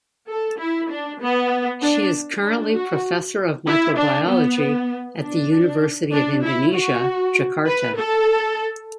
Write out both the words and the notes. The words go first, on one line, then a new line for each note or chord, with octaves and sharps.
She is currently professor of microbiology at the University of Indonesia, Jakarta.
A4
E4
D4
B3
D4
D4
F#4
E4
D4
B3
D4
D4
E4
F#4
B4
A4